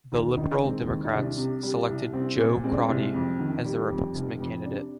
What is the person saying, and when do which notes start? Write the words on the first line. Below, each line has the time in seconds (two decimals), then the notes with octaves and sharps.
The Liberal Democrats selected Jo Crotty as their replacement candidate.
0.12 D#2 A#4
0.37 D#3 D#4
0.50 D4
0.62 G#3 C4
0.88 D#2
1.04 D#4
1.13 C2 D4
1.37 C3
1.63 G3
1.88 C2
2.13 C2 C4
2.39 A#2
2.64 G#3 C4
2.73 D4
2.81 C4
2.88 C2
3.14 F2
3.39 D#3
3.65 G3
3.90 F2
4.15 F1
4.40 F2
4.65 C3 D4